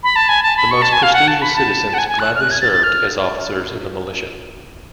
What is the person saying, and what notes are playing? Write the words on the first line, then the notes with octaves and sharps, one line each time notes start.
The most prestigious citizens gladly served as officers in the militia.
B5
A5
G#5
A5
B5
C#6
A5
G#5
F5
F#5
A5
B5
A5
F#5
G#5
G#5
F#6
F6
F#6
G#6
A6
A6
F6